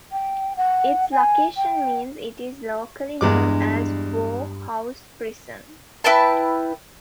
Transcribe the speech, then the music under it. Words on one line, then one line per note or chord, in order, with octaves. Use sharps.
Its location means it is locally known as "Bowhouse Prison".
G5
F#5
G#5
G5
E2 G2 G#3 D6
E4 B4 G5 A5